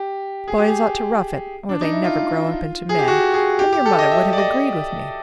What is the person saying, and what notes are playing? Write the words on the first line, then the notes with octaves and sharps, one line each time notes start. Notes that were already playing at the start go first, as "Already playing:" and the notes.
Boys ought to rough it, or they never grow up into men, and your mother would have agreed with me.
Already playing: G4
G#4
G4
G#4
D4
D#4
E4
F4
G#4
G4
F#4
G#4
G4
G4
A4
D#5
E5
D5
D#5